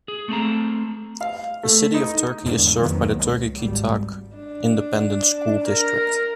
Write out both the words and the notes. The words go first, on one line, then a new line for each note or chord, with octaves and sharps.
The City of Turkey is served by the Turkey-Quitaque Independent School District.
G#4
A3 C4 A4 A#5
F5
A3
D#4
E2 G#2 D3
F2 D#3 F#3 A#3 B3
C#2
G#1 G3
D4
A#4